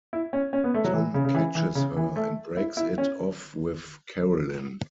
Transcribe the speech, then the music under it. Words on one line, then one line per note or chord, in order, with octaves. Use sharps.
Tom catches her and breaks it off with Carolyn.
E4
C#4
C#4
B3
A3
F#3
E3
C#3
C#3
E3
E3
C#3
E3
A3
E4
E4
C#4